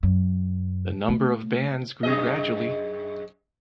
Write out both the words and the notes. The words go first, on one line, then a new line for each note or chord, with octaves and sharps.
The number of bands grew gradually.
F#2
A3
F#2 G#4 D#5